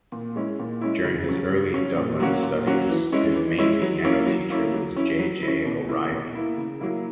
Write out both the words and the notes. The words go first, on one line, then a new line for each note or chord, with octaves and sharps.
During his early Dublin studies, his main piano teacher was J. J. O'Reilly.
A#2
G#3 C#4 E4
A#2
G#3 C#4 E4
C#3
F#3 C#4
C#3
F#3 C#4
A#2
F#3 A#3 C#4 F#4
A#2
F#3 A#3 C#4 F#4
E3
G#3 C#4 E4
E3
G#3 C#4 E4
F#3
A#3 C#4 E4
F#3
A#3 C#4 E4
F#3
C#4 E4
F#3
E4
C#4
B2
A#3 E4
B2
A#3 E4
C#3
F#3 A#3 E4